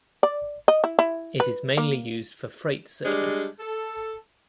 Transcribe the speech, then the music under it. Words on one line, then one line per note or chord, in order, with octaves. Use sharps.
It is mainly used for freight service.
D5
D#5
E4
E4
B4
A#3
G3 G#3 D4
A4